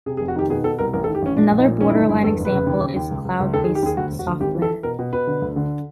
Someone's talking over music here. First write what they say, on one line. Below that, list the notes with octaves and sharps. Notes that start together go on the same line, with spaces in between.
Another borderline example is cloud based software.
C3 G#4
G#4
F1
F#4
D#3 G4
B2 G#4
B2 A4
C2 A#4
A1 A#4
A4
D#3
G4
A1 C#4
A#2 D4
A#1
D#4
A#2
D#3 C#4
E4
G1 D#4
G2 E4
E2 A4
F1
B4
C#3
D#2
C#3
D#2
C#2
C#2
C#2
D#2 A4
G#4
D#3
G4
D#2 G#4
D2 F#4
E1
F#4
D2
G#1 G4
E3
A4
E3
B2 A#4
B2
B2 B4
D3
D2
D3